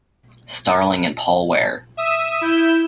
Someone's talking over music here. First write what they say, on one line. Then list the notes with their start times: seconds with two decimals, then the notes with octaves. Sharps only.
Starling and Paul Ware.
1.97 E5 D#6 E6 D#7
2.41 E4 G6 E7